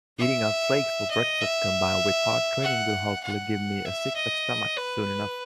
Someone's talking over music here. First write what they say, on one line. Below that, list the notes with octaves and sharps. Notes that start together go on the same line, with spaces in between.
Eating oat flakes for breakfast combined with hard training will hopefully give me a six-pack stomach soon enough.
E5
D#5
E5
F#5
F#5
E5
D#5
B4